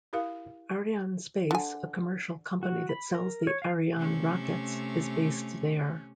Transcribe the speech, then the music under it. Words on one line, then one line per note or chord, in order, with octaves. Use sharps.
Arianespace, a commercial company that sells the Ariane rockets, is based there.
E4 G4 A#4 F5
D3 G#5
F#4
B5
A#4
C#5
F5
C3 A3 C#4